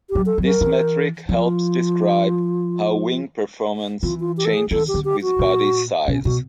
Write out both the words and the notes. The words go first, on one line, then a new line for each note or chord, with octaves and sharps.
This metric helps describe how wing performance changes with body size.
G4
F#3
A4
F#3
A#4
E3
F3 F4
E3 F4
F4
G4
A4
G#4
D#3 A4
G4
D3
G4
F#4
A#2
B2 C#4
B2 F#4